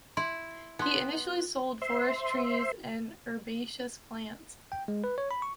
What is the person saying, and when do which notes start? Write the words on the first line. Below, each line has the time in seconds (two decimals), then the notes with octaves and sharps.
He initially sold forest trees and herbaceous plants.
0.17 E4 C6
0.79 B3 D#4 C6
1.82 C5 E5 C6
4.72 G5
4.88 G#3
5.04 B4
5.18 C#5
5.31 B5
5.42 C#6